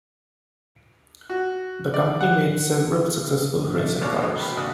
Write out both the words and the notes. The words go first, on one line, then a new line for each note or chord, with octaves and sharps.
The company made several successful racing cars.
F#4
D5
F#5
A3 D4
G#1 D#2 B2 C#5 D5 F6
B2 D3 G#3 D#4
B2 D#3 B5
G#1 D#2 D4 F#4 D#6 F#6